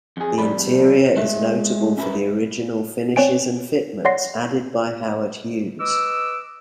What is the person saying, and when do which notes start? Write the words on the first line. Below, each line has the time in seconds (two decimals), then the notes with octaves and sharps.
The interior is notable for the original finishes and fitments added by Howard Hughes.
0.17 F2 G#4
0.38 F2 G3 D5 B5
1.16 G#3 D#5 E5
1.98 C#4 E4 F#4 G#4 A#4 B4
3.16 C4 C#5 D5 G#5 D7
4.05 C#5 D5 F#5 C6 A#6 C7
5.79 B4 D#5 D6 E6